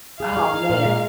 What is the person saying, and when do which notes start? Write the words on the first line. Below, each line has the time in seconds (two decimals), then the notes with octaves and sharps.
Oh, man.
0.20 G#4 F5
0.37 G#4
0.54 D#4
0.70 A#2
0.86 G#3